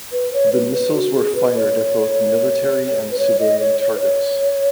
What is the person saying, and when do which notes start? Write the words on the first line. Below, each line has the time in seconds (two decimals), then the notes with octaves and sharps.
The missiles were fired at both military and civilian targets.
0.12 B4
0.33 C#5
0.53 B4
0.73 B4
0.94 F#4
1.14 G#4
1.35 B4
1.56 C#5
3.11 B4
3.19 C#5
3.39 D#5
3.59 C#5
3.81 C#5
3.95 B4
4.00 C#5